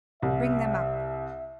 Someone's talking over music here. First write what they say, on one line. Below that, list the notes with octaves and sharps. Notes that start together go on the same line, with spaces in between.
Bring them up.
C2 E5